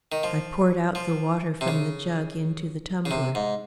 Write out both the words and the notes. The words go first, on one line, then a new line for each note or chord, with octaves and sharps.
I poured out the water from the jug into the tumbler.
D#3
F3
F3
C3
C#3
C#3
C3
G#2